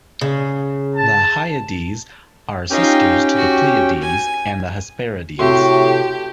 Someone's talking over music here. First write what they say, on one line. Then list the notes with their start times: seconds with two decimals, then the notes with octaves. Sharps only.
The Hyades are sisters to the Pleiades and the Hesperides.
0.21 C#3
0.96 A5
2.70 C#4 D#4 F4 G4 G5
3.36 F#4
4.02 G#5
5.39 A2 C3 F#4 G4 E5 C6